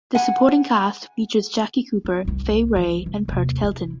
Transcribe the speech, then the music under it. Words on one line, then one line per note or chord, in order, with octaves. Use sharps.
The supporting cast features Jackie Cooper, Fay Wray and Pert Kelton.
F#5 G#5
B3
C2 F#2
E3
C2
D#2 C3
E4